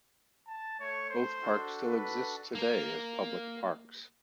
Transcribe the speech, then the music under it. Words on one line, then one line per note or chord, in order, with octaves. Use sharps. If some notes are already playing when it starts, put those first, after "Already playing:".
Both parks still exist today as public parks.
A5
A3 C#5
C5
D4 F#4 A4
B4
A#3 A#4